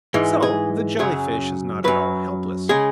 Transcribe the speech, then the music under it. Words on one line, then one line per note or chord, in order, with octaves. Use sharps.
So the Jelly-fish is not at all helpless.
G#2 E3 G#3
G#4
F#2 C#3 F#3 G#4
F#2 F#3 B4
C#3 G#3 G#4